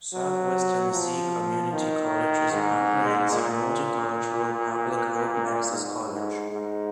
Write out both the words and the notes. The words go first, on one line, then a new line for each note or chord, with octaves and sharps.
Southwest Tennessee Community College is a comprehensive, multicultural, public, open-access college.
F#3
F3
D#3
G#2
A#2
G#2
G#2
G#2